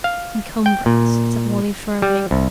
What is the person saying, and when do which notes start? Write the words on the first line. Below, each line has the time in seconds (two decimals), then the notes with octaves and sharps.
"Encumbrance," said Wally firmly.
0.04 F5
0.66 G5
0.86 A#2
2.02 G3
2.31 C2